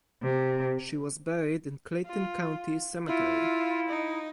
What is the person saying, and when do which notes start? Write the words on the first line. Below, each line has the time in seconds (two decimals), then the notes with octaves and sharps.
She was buried in Clayton County Cemetery.
0.22 C3
2.05 F4
3.07 E4 F4
3.89 D#4